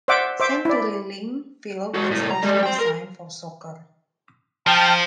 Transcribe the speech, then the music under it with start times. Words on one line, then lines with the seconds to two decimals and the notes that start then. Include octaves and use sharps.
CenturyLink Field is also designed for soccer.
0.08 C5 D5 E5 F#5 D6
0.40 C5 E5 D6
0.65 E4 D5
1.94 G#3 F#4
2.11 C2 A2
2.31 A#5
2.43 G3 G#3
2.63 G5 C6
2.79 A#4
4.67 F3 G5 A5 F6